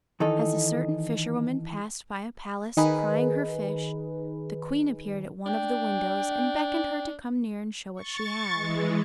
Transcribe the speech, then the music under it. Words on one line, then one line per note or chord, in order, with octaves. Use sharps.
As a certain fisherwoman passed by a palace crying her fish, the Queen appeared at one of the windows and beckoned her to come near and show what she had.
D#3 E3 D#4 A4
D#3 D#4 G#4 B4
D4 G5
C#6 A6
E3 G#3